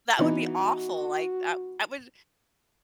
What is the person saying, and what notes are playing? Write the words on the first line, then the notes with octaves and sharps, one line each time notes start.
that would be awful. Like, I I wouldn't
E3 B3 D#4 F#4